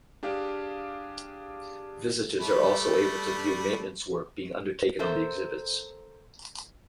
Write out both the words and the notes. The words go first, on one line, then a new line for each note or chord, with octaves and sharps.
Visitors are also able to view maintenance work being undertaken on the exhibits.
D4 G4 G#4 F5
G3 A3 B4
A4 A#4 C5 E5